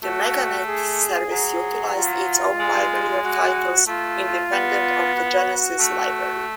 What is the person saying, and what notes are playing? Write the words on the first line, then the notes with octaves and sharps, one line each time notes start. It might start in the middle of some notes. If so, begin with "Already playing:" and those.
The Meganet service utilized its own library of titles, independent of the Genesis library.
A3 F#4
G#4
F#3
F4
G#3
F#4
A3 F4
B3
F#4
F4
F#4
A3